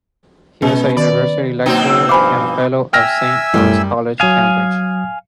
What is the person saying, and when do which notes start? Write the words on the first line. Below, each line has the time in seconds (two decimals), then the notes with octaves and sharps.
He was a University Lecturer and Fellow of Saint John's College, Cambridge.
0.62 B2 G#3 C#4
0.97 D#3 D5
1.66 B2 F#3 A#3 C4 D#4 G5
1.90 E6
2.09 G2 F3 F5 G#5 B5 D6
2.93 E5 G5 G#5 E6 F6 A#6
3.54 F#2 A2 G3
4.20 F#3 F5 G#5 D#6